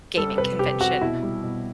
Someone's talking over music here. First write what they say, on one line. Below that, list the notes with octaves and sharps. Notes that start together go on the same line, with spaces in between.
gaming convention,
G3 A4
C3 B4
C3 G4
C3 F#4
B2 E4
G3
B2